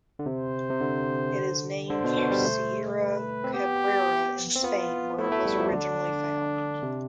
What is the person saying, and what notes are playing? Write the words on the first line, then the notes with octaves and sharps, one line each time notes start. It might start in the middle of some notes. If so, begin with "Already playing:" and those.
It is named for Sierra Cabrera in Spain where it was originally found.
D3
C3 C5
C3
D3
D3 C5
B2
B2
G3
A3
B4
C4
B3 G4
C4
B3 F4
A3 E4
A3
G3
F3
D3 D4
C3